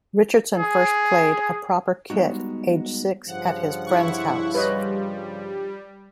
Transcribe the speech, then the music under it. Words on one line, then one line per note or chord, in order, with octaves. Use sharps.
Richardson first played a proper kit aged six at his friends house.
G#4
G3 G#3 B3 D#4 F#4
G2 C#3 F3 F#5
E4 F#5 C#6
G3 B4 C#5 D#5